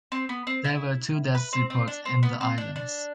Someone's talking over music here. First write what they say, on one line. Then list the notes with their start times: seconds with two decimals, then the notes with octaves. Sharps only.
There were two deaths reports in the islands.
0.12 C4
0.29 B3
0.47 C4
0.64 E4
1.35 B4
1.53 C4
1.70 C4
1.88 D4
2.05 C4
2.23 B3
2.41 C4
2.58 D4
2.76 D4